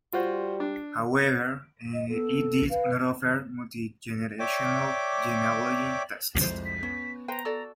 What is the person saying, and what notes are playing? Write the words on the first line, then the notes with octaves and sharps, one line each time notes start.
However, it did not offer multi-generational genealogy tests.
G3 F4 F#4 C5
D4
D#5
B3 A4
B4 F5
C#5 D5 E5 G5 D6
C2 F2 G#3 C5
B6
B3 C#4
B4 C5 G5 A#5
F#4 A4 D5